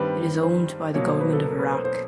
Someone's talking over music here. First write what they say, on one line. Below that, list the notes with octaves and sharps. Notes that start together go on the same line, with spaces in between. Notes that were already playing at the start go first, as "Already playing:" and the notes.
It is owned by the Government of Iraq.
Already playing: G2 D#3 G3 C4 B4
C5
B2 F#3 A#3 C#5
C5
B4
A4
A#4
B4
C5
C5